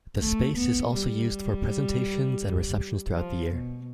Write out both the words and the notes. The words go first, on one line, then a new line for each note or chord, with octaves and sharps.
The space is also used for presentations and receptions throughout the year.
A3
B3
G3
F3
B2